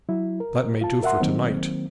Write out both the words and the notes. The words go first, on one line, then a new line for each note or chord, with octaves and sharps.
That may do for to-night.
F#3 E4
A#4
F4 A5
A#4 E5 F#5 C6
D#3 F#3 A#3 C4